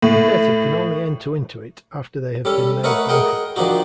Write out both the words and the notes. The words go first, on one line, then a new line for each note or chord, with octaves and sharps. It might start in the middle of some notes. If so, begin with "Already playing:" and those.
A debtor can only enter into it after they have been made bankrupt.
A2
G3 C#4 A4
A3 A#4 B4 C#5 D#5 F#5
G#4 A#4 D#5 F#5 G5
D#3 F3 D4 D#4 F#4